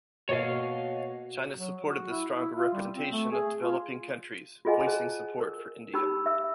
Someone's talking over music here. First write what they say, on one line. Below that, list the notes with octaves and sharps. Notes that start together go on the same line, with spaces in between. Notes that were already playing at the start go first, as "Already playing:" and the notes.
China supported the stronger representation of developing countries, voicing support for India.
B2 A#3 F#4 C#5 D#5 F5
F#3
F#4
E4
E4
F4
G3
C4
A3
G#4
F4
F4 F#4 G#4 D#5 F#5 G#5
G#4 C5 A5
A#4
D#4 G4 A5 B5 E6
E5 E6